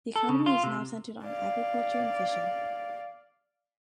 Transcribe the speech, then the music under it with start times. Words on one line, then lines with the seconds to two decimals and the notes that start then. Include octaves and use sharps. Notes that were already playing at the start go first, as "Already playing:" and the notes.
The economy is now centered on agriculture and fishing.
0.16 A4
0.29 C#3
0.46 F4
0.64 C3
1.25 D5 F5